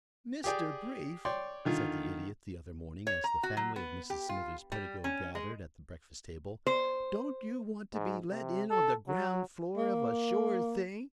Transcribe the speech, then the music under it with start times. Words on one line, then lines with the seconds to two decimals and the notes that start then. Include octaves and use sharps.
"Mr. Brief," said the Idiot the other morning as the family of Mrs. Smithers-Pedagog gathered at the breakfast table, "don't you want to be let in on the ground floor of a sure thing?"
0.44 G4 G#4 D5 G5
1.25 C#5 D5 G5 C6
1.65 D3 D#3 F4
3.07 C#5
3.24 A#5
3.43 F#4
3.57 F#3
3.76 B3
4.10 G4
4.29 F4
4.72 G3
5.04 C#4
5.35 G#3
6.67 C5
7.93 G#2
8.30 C3
8.70 A4
9.08 F#3
9.77 A#3